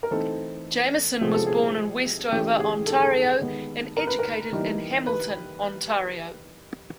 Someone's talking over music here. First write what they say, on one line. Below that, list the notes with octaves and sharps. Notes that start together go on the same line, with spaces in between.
Jamieson was born in Westover, Ontario and educated in Hamilton, Ontario.
A#4
E3 A3 C4 D#4 A4
C3 F3 G#3 B3 G#4
A4
G#4
E3 A3 C#4 G4
G#4
A4
G#4
A4
D#3 G#3 B3
A#4
B4
A#4
E3 G3 A#3 D#4
B4